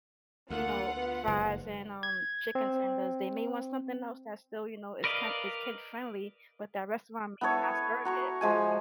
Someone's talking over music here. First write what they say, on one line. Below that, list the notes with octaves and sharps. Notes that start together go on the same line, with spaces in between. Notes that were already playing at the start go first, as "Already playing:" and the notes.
you know, fries and, um, chicken tenders. They may want something else that's still, you know, is kin is kid friendly, but that restaurant may not serve it.
D2 A#3 F4 F#5
B3
F#1 G#2
G#6
C4
A#4 B4 D5 D#5 F5
B3 E4 A4 C#5
F#4 A#5 C#6
F3 G#3 G#5